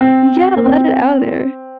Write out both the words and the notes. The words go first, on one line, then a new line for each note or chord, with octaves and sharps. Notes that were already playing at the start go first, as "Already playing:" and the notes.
Yeah, let it out, er
C4
A#3
C4